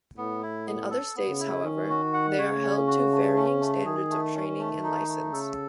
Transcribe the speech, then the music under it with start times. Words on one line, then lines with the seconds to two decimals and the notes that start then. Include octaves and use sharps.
In other states, however, they are held to varying standards of training and license.
0.17 A2 B3
0.42 E4
0.67 B3
0.91 A4
1.15 B3
1.28 C#3
1.40 E4
1.64 D#3 C#4
1.90 F#4
2.14 F#5
2.38 C#3 C#5
2.63 C#4
2.87 F#4
3.11 A3
3.36 C#4
3.60 A3
3.86 D#3 G#4
4.10 A3
4.34 C#4
4.59 A3
4.83 D#4
5.08 A3
5.32 C#3 A4